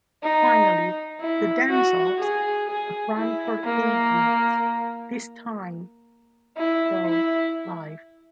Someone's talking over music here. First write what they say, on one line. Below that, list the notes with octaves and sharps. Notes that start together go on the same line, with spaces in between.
Finally, the dance-offs, ran for eight weeks, this time though live.
D#4
E4
F#4
G#4
G#4
E4
A#3
E4
E4